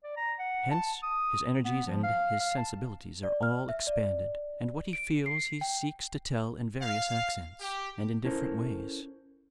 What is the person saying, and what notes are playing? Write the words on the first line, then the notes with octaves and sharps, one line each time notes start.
Hence, his energies and his sensibilities are all expanded, and what he feels he seeks to tell in various accents, and in different ways.
D5
A#5
F#5
A5
D#6
B3
F3
F5
F5
A5
D5
F6
E5
D5
D7
C7
G5
F5
G4
C#4 E4 A4 A#4 C5